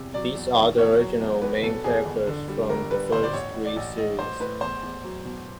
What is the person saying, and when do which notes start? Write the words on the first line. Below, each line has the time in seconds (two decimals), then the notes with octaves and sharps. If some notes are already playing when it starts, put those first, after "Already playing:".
These are the original main characters from the first three series.
Already playing: E2 C3
0.14 F#3 D5
0.35 E2
0.57 D#3
0.78 E2 C#5
0.99 F#3
1.21 E2
1.42 E2 B4
1.63 B2 A4
1.84 E2 G#4
2.05 G1
2.27 D3
2.48 G3
2.69 G1 A#4
2.91 G3 B4
3.12 G1 C5
3.23 D5
3.33 A1 C#5
3.54 A1
3.65 D5
3.76 A1
3.98 A1 D#5
4.19 A1 C5
4.40 A2 B4
4.61 E2 C5
4.83 E2
5.04 F#3
5.25 B2